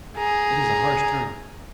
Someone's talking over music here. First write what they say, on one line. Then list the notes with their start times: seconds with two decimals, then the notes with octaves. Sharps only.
It is a harsh term.
0.17 G#4 A#5